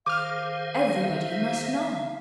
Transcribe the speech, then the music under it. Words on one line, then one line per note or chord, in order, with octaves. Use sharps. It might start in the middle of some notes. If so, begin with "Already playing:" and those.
Everybody must know.
D#3 G#4 C5 F5 D6 F6
E5